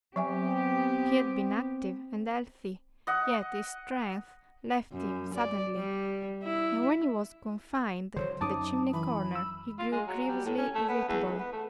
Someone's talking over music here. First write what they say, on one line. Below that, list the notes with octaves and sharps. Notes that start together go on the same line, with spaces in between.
He had been active and healthy, yet his strength left him suddenly; and when he was confined to the chimney-corner he grew grievously irritable.
F#3 B3 C4 G4 E5 G#5
D#5 F#5
F#2
D5
G3
E4
D3 D#3 F#3 C5 C#5
F#2 D#4 A5 D6 D#6
E3 B5
E6
F4
G#3
F#3
G3
A2
C#4
A3
B3
E2
C#2
B3
A3